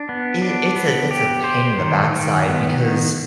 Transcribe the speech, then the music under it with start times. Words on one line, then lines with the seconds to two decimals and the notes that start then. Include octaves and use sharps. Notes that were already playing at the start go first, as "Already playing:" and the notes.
I it's a it's a pain in the backside because
Already playing: D4
0.09 B3
0.42 D4
0.76 B3
1.11 G4
1.44 C5
1.78 D#3
2.12 D#3
2.45 B3
2.79 D#3